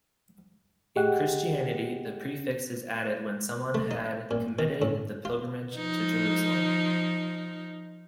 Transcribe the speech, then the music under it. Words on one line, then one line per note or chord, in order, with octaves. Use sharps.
In Christianity, the prefix is added when someone had committed the pilgrimage to Jerusalem.
G4 G#4 D#5 F#5 G5 F#6
A3
D#4
A#2
D#3
A2
F4
F3 D#4